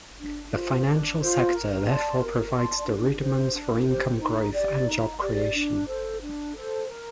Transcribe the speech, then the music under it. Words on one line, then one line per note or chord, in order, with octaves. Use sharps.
The financial sector therefore provides the rudiments for income-growth and job creation.
D4
F4 C5
D4
F4 C5
A#4
D5 A5 C6
A#4
D5 A5 C6
D4
G4 C5
D4
G4 C5
D#4
G4 D5
D#4
G4 D5
D4
A4 C5
D4
A4 C5
A#4